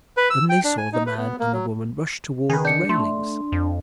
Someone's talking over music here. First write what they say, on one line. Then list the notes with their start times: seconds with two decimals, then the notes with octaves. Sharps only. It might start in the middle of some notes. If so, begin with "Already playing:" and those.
Then they saw the man and the woman rush toward the railings.
0.17 B4
0.30 E6
0.49 G5
0.64 D4
0.78 G#5
0.93 D#4
1.06 B4
1.18 B3
1.40 A#3
1.53 F#3
2.50 D#3 G#4 B4
2.65 D4 G6 C#7
2.89 A3 C6
3.52 F2